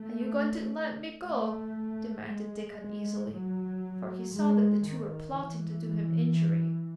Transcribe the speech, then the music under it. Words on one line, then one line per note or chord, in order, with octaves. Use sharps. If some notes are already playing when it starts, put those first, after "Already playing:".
"Are you going to let me go?" demanded Dick uneasily, for he saw that the two were plotting to do him injury.
Already playing: A3
A3
G#3
F#3
G#3
D#3
E3